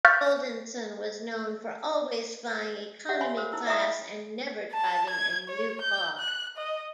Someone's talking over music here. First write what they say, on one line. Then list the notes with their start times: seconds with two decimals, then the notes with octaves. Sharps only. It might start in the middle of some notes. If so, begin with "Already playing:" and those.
Goldenson was known for always flying economy class and never driving a new car.
0.05 F5 C#6 F6 G6 A6 B6
3.09 G4 D5 E5 F#5
3.21 C#5 F5 G#5 B5 C6
3.37 A#4 C5
3.52 D#4 E4 E6
3.66 D5 E5 F5 A#5 D#6
3.79 F5 B5
4.73 A5
5.10 G#6
5.49 C#5
5.82 G6
6.19 F#6
6.57 D#5